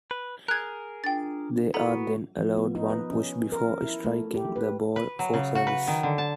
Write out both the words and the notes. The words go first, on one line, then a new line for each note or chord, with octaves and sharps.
They are then allowed one push before striking the ball for service.
B4
G#4 A#4 F#6 G#6
D4 F4 G5 A6
B3 E4 F#4 A4 A#5 C#6
F3
B3
D#4
B4
C#4
A#4
E4
A3
G4
B4
B4
F#3
C#3
F#4
B4
D#3
D3
A5